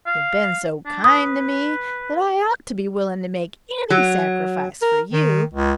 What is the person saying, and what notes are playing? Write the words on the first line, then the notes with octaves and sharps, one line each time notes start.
You've been so kind to me that I ought to be willing to make any sacrifice for you.
F5
D4
B4 D#6
F#3
A#4
D#3
C#2